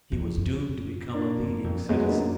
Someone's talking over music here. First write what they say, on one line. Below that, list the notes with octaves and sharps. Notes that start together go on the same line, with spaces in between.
He was doomed to become a leading citizen.
F2
F#2
A#3 D4
F#2
F2
F#2 G#3 B3
A#3 D4